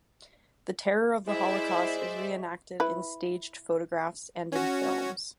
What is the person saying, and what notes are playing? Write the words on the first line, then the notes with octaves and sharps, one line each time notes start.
The terror of the Holocaust is re-enacted in staged photographs and in films.
G#3 E4 C5 D5 E5
E4 B4
C#4 F#4